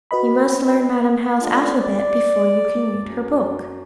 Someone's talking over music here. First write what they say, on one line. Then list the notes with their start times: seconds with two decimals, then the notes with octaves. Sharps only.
You must learn Madam How's alphabet before you can read her book.
0.11 F#4 B4 D#5 B5
1.41 A3 B3 D4 F4
1.80 D5
2.96 F#2